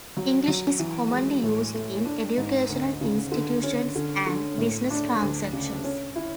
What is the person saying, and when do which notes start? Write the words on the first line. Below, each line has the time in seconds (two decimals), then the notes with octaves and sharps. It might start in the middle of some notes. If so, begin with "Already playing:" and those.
English is commonly used in educational institutions and business transactions.
0.17 F#3
0.48 F#3
0.79 E3
1.10 G#3
1.43 A2
1.74 A3
2.05 D4
2.37 G#2
2.69 D2
3.01 C#3
3.32 D3
3.63 C#4
3.95 D3
4.27 D3
4.58 A2
4.90 D4
5.21 D2
5.53 C#3
5.84 C#4
6.16 E4